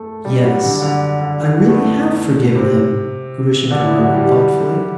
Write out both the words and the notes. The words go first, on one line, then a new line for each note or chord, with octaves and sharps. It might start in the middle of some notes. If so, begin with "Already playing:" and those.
"Yes, I really have forgiven him," Grushenka murmured thoughtfully.
Already playing: A3 A4
G3 G4
G4
F#3 F#4
D3 D4
D3 D4
D3
D3
E3
B3
A2 A3
C3 C4
D3 D4
E3 E4
F#3 F#4
G3 G4